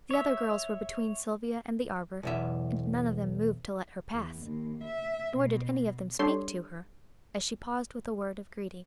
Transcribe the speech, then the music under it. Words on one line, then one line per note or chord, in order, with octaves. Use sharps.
The other girls were between Sylvia and the arbor, and none of them moved to let her pass; nor did any of them speak to her, as she paused with a word of greeting.
C#5 E5
B1 E2 E5
E2
D#2
E5
B2
G3 D4 G4 A4 C#5 C6